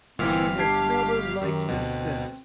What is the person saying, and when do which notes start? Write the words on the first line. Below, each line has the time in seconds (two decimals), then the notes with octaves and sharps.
She has never liked me since.
0.19 G1 A#2 E3 C4 F5 B6
0.58 D4 G4 G#6 C7
1.41 F#2 D#3
1.69 D2 B2 C4